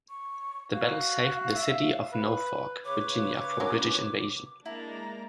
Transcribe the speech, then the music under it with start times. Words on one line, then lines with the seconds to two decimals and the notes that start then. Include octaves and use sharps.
The battle saved the city of Norfolk, Virginia, from British invasion.
0.10 C#6
0.72 F#4 F5
1.55 E5
2.13 B4
2.85 C#3 B4 C#5 D6
3.60 F#3 C#4 A#4
4.66 G#3 A#3 D4 E4 A#5